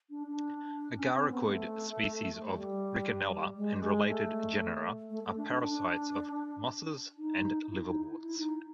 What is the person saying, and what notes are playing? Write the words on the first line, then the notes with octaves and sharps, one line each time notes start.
Agaricoid species of "Rickenella" and related genera are parasites of mosses and liverworts.
D4
D4
C#4
C4
B3
A3
G3
G#3
G3
G#3
A3
A3
A3
D4
D4
D4
D#4
D#4
E4
D#4
E4
E4
D#4